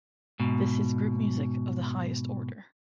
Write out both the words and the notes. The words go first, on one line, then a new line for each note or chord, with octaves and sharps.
This is group music of the highest order.
G#2 B2